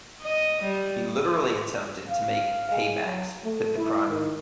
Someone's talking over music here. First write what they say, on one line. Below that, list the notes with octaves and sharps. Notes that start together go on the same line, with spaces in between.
He literally attempted to make "paybacks" fit the crime.
D#5
G3
F5
G#3
F#3
A3
E4
D#3